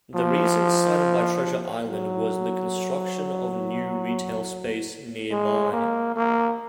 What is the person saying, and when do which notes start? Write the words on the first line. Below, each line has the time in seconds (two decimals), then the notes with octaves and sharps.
The reason cited by Treasure Island was the construction of new retail space nearby.
0.15 F3
1.87 F#3
5.31 G#3
5.73 A#3
6.16 A#3